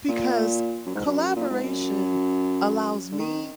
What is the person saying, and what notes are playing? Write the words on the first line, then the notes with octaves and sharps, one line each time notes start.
because collaboration allows me
A#2
F#2
G#2
F#2
A#2
G#2
F#2
D3
D#3